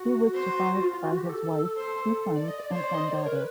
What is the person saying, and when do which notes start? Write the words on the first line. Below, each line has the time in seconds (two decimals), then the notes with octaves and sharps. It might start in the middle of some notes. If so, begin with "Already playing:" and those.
He was survived by his wife, two sons and one daughter.
Already playing: F#4
0.34 C5
0.81 F4
0.93 F4
1.05 F#4
1.17 G4
1.29 A4
1.77 C5
2.36 D5
2.48 D#5
2.59 D5
2.71 C5 C#5
2.83 D5
2.94 D#5
3.07 D5
3.14 C5
3.18 C#5
3.26 A#4
3.35 B4